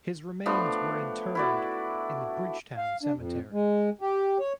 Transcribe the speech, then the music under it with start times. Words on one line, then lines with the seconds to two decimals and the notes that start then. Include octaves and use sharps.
His remains were interred in the Bridgetown cemetery.
0.46 F3 A3 B3 D4
1.35 E4 F#4 D5
2.77 F5
3.03 D4
3.16 F2
3.53 G#3
4.01 G4
4.40 C#5